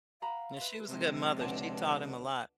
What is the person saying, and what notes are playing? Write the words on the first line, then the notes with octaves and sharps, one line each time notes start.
Yeah, she was a good mother, she taught him a lot.
F5 F#5 A#5 B5
B4 E5 C6
C3 F3 G#3 C4
C#2 B2 D3 D5 E5 A5